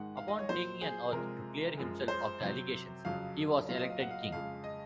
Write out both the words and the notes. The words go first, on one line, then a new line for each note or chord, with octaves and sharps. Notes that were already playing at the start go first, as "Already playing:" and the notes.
Upon taking an oath to clear himself of the allegations, he was elected king.
Already playing: G#2 D#3 G#3 F#5
F5
D#5
C#5
A#2 F#3 C5
G#4
C3 F3 G#3 A#4
F#2 F3 G#3
C5
C3 F#3
F2 C#3 F#3 F5
A#2 F#3 F5
D#5
F5
F#5
F5
D#5
F2 C#3 G#3 F5
D#5